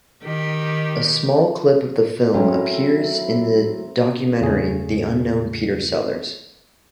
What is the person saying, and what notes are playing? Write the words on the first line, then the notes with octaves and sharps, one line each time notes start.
A small clip of the film appears in the documentary "The Unknown Peter Sellers".
D#3 G4
F#3 A3 C4 C#4 E4 A#4
E2 C#3 A3 G#4